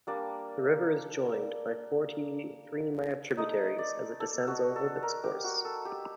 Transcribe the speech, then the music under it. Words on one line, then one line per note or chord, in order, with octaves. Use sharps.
The river is joined by forty-three minor tributaries; as it descends over its course.
G3 A#3 D4 D5
A3 D#4 D#5
D5
A4
F#4
A4
A#4
G4
F#4
A4
G4